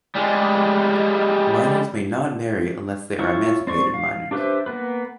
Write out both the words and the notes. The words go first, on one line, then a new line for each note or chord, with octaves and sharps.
Minors may not marry unless they are emancipated minors.
G3 G#3
E4 F4 C#5
C4 D5 C#6
F5
D4 G4 B4 C5 E5
A#3 B3 B4